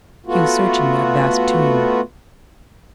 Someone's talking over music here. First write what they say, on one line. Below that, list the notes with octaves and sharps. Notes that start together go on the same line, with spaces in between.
He was searching that vast tomb.
A3 B3 F4 F#4